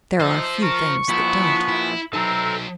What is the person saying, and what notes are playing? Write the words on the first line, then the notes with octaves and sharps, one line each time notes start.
There are few things that don't.
D#4 F4 C5 E5
A#4 C#6
A#2 F3 B3 E4
E4
F#3 C4 D#4 A4 E5 A5 A#5